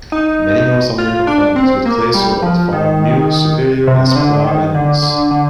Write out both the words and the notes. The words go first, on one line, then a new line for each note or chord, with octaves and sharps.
Many North American farmers with clay soil found mules superior as plow animals.
D#4
F4
D4
C4
A#3
G3
F3
D#3
C3
C3
D3
D3
D#3
D3
D3
D3